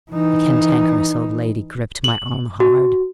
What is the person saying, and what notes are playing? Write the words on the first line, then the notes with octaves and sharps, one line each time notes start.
The Cantankerous Old Lady gripped my arm hard.
E3 D#4
F#7
F#4